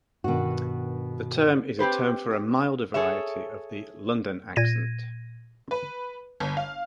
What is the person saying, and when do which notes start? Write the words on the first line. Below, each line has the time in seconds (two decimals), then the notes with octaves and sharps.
The term is a term for a milder variety of the "London Accent".
0.24 G2 B2 D#3 F#4
1.79 C4 G4 B4 C5
2.94 G#4 A4 C#5 E5
4.56 A#2 G#6 A#6 D#7
5.71 B4
6.40 G1
6.57 F5